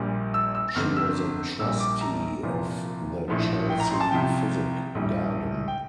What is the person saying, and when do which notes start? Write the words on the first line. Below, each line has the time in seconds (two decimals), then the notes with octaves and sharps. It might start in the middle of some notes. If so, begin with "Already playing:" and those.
She was a Trustee of the Chelsea Physic Garden.
Already playing: A#1 A#2 G3
0.34 E6
0.55 E6
0.75 G1 F2 D3 F6
0.96 E6
1.60 A#1 A#2 G3 E6
1.80 D6
2.01 A#5
2.43 C2 A#2 F3
3.28 A#1 A2 F3
3.70 G5
3.80 A#5
3.91 C6
4.00 A5
4.11 C2 C3 F3 G5
4.95 A#1 A2 G3
5.68 G5